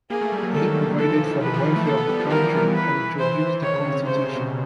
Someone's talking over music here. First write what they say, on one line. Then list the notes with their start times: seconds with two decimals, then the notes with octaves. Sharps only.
He provided for the welfare of the country and introduced the constitution.
0.10 A#3 G#4
0.21 A3
0.32 G3
0.43 F#3
0.54 D#3 A4
0.98 E3 A4
1.10 F3
1.20 F3
1.31 D#3
1.42 E3 B4
1.54 F3
1.64 E3
1.76 A3
1.86 A#3 A4
1.97 B3
2.09 G3
2.20 F3
2.30 E3 A#4
2.75 B4
3.19 C5
3.62 D#3 C#5
3.74 C#3
3.84 C3
3.96 C3
4.07 C3 C5
4.21 C#3
4.36 B2